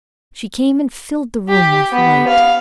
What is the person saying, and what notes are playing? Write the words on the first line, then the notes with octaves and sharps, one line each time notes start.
She came, and filled the room with light.
G4
B3
F5